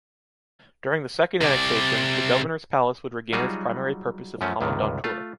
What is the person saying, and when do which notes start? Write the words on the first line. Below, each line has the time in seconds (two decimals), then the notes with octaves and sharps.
During the second annexation, the governor’s palace would regain it’s primary purpose of Kommandantur.
1.41 C3 D5
3.33 F#3 G3 D#4 F4 F#4 G#4
4.41 F#2 F3 A3 C#4
4.61 C#2 G2 C3 D#3
5.04 A3 F4